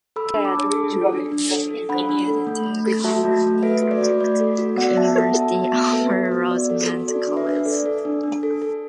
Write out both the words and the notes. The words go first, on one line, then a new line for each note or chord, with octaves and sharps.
He committed to Cabrini University over Rosemont College.
A4 B5 E6
D4
A5 D6
D4
A4
A4
D4
D4
A4
A4
D4 F#5 B5
D4
A4
A3
A3
A4
F#4 E5 A5
A3
A3
A4 B4 E5
F#4
D5
A3
A3 D5
A4
F#4
B3 D5 F#5
B3 E5 A5
A4 E5 A5
F#4 E5 A5
B3
E5 A5
B3
A4 B4 E5
F#4
B3
B3 D5
A4
F#4
A4 D5
D4
B4 E5
D4
A4 D5
A4
D4
D4
A4
A4